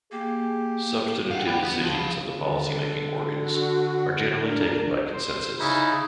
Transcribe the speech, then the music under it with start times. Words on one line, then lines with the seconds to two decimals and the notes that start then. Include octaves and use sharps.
Substantive decisions of the policy-making organs are generally taken by consensus.
0.12 A#3 G4 G#4
1.31 F5 F#5
1.46 G5 B5
1.63 B3
1.81 F3
1.94 F5 B5
2.37 D3
3.36 F#4
4.32 D4 A#4
5.13 C5
5.59 C#3 D#4 E4